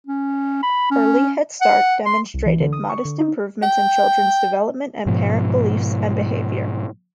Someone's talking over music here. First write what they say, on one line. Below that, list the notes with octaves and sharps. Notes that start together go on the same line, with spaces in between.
Early Head Start demonstrated modest improvements in children's development and parent beliefs and behavior.
C#4
B5
C#4
F#5
C6
C2
E3
D3
D#6
C#6
D3
D#4
G5
G#2 B2 F3